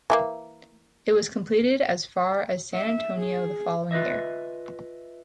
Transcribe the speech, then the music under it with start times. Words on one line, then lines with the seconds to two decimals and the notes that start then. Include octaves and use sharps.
It was completed as far as San Antonio the following year.
0.10 E3 A3 A#3
2.74 E5
3.18 G#4
3.91 F4 B4 C5 D#5 E5